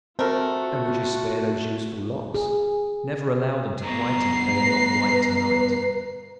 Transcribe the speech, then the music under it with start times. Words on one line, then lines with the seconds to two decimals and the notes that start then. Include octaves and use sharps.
And would you spare those youthful locks? Never allow them to whiten if they are not white to-night.
0.19 A3 C4 F4 F#4 A#4 C5 G5 A5
2.34 G#4
3.83 G2 B2 A#5 C7
4.65 B4